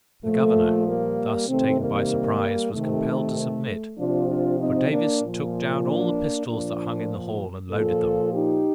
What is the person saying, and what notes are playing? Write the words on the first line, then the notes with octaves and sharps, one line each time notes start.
The governor, thus taken by surprise, was compelled to submit; for Davis took down all the pistols that hung in the hall, and loaded them.
A#2 F3 A3
G3 A#3
C3 D#3 A3 C4
G3 A#3
C3 D#3 A3
C3 F3 D4 F4
D4 F4
C4 D#4
A#3 D4
A#2 F3
A#3 D4
A#2 F3 A#3 D4
A#2 F3 F4 A4
D#4 G4